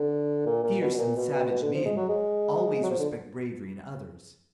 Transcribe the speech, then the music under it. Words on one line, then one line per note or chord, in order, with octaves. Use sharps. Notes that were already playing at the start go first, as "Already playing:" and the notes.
Fierce and savage men always respect bravery in others.
Already playing: D3
A#2
A#2
B2
B2
A#2
B2
B2
B2
D3
F3
G#3
F#3
G#3
F#3
F3
D3